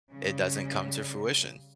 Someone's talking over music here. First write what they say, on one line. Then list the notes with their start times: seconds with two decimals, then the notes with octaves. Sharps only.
it doesn't come to fruition.
0.12 C#3 G3